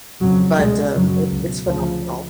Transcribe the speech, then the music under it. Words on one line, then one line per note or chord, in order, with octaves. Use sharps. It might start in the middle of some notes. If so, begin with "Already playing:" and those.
but, um, it it's phenomenal.
F2 C#3 F#3
C#2 B2 G#3
F#2 C#3 F#3
C#2 B2
D2 C#3 F3